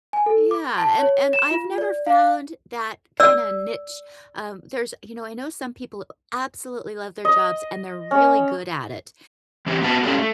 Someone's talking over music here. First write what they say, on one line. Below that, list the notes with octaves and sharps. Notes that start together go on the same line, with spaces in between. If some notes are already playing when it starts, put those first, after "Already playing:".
Yeah, and and I've never found that kinda niche, um, there's you know, I know some people absolutely love their jobs and they're really good at it,
G#5
A4
D6
A5
C#5
E7
F4
D5
F5
D5 E6
D#5
C#4
E3 C4 G4
A#3 B3 F#4 A5
G#3 C#4 D4 F4 G4 A4
A3